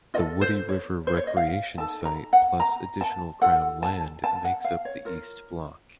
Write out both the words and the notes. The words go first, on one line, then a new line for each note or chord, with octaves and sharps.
The Woody River Recreation Site plus additional Crown land makes up the East Block.
F4 A4 D#5
C5
C#5
C5
C#5
D#5
F5
D#4 A4 A5
A#5
F#5
A#5
A5
F4 A4 F#5
A5
A5
F#5
F5
C#5
F4 A#4